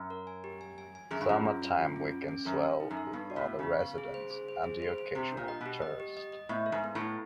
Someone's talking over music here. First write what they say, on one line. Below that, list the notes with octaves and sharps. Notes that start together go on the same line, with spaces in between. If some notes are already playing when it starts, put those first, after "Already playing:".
Summer time weekends swell with other residents and the occasional tourist.
Already playing: F#2
A#4
G#5
G4
G#5
G#5
G#5
F#2 G#4
G2
F#2 F4
C#4
C#4
F4
C#4
C#4
C#4
F#2 A4
A4
D#4
F#2
A4
G2 B3
F#4
A2
B3
C#3 B3
F5
G#4
C5
G#4
C5
G#4
C5
C5
C3 G4
A#2 D4
D#5
B2
G4
D#5
G4
D#5
D#5
A2 B3
A4
G#2
B3
A2
E4